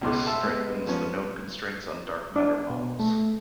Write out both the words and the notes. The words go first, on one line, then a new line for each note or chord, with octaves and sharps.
This strengthens the known constraints on dark matter models.
C#2 B2 C6 D6
A4 E5 A5 C6 E6
G#3 B3
F3 B3 C#4
D4
B2
A3